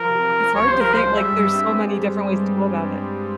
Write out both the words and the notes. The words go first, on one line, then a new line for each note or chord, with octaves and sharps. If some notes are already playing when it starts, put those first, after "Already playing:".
It's hard to think, like, there's so many different ways to go about it.
Already playing: F3 A#4
C3
F3
F3
C2 C#5
F3 C5
F3 A#4
C5
G#3
G3 E5
G2
C4